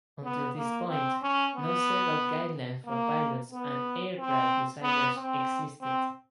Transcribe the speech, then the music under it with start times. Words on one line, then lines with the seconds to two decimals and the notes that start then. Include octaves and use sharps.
Until this point, no set of guidelines for pilots and aircraft designers existed.
0.24 B3
0.57 A#3
0.90 C4
1.22 C#4
1.55 B3
2.86 A#3
3.52 B3
4.17 C4
4.83 B3
5.16 C4
5.81 C4